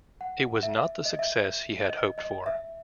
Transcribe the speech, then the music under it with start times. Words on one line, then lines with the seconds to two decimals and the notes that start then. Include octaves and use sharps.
It was not the success he had hoped for.
0.21 F#5
0.63 E5
0.76 E5
1.05 D#5
1.19 E5
1.89 D#5
2.18 D#5
2.46 E5